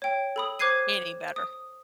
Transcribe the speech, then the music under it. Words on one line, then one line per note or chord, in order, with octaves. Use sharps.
Any better.
C#5 G5
A4 B5 D#6
C5 D6 F#6 G#6 C7 D#7
D#6